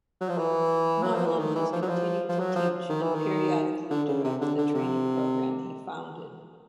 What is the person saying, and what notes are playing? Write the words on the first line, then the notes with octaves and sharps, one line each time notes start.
Marlan has continued to teach and periodically direct the training program he founded.
F#3
F3
E3
F#3
F3
E3
D#3
E3
F3
F#3
F3
F3
F#3
F3
D#3
E3
D#3
D3
C#3
C3
D3
D3
C3